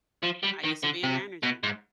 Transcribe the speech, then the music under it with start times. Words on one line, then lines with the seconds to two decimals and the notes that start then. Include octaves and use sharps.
I used to be a manager,
0.23 F3
0.43 G3
0.64 D#3
0.83 D3
1.03 C3
1.43 B2
1.63 G#2